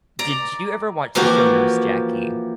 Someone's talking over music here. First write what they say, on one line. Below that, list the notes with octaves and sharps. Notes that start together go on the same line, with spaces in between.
Did you ever watch the show Nurse Jackie?
D5 A#5
E3 F3 A#3 F#4 G4